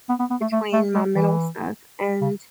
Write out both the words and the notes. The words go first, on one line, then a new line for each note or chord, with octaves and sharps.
between my mental stuff and
B3
B3
B3
A3
A3
A3
G#3
E3
C#3